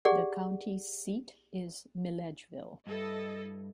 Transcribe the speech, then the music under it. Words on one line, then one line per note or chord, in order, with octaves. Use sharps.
The county seat is Milledgeville.
G4 G#4 D5 F#5
G2 E4 A4 D#5